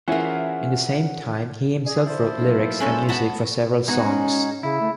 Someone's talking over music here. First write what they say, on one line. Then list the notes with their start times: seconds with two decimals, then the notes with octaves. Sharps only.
In the same time, he himself wrote lyrics and music for several songs.
0.08 E3 C#4 F4 G#4 A#4 C5 E5 F#5
1.86 G#4 D5
2.06 F3 E4 C5
2.41 F#3 A#3 D#4
2.80 G#3 C#4 A4
3.09 C#2 B3 F#4 A5
3.88 G#3 B3 D#4 F#4
4.03 C#4
4.63 C#3 E4
4.81 A3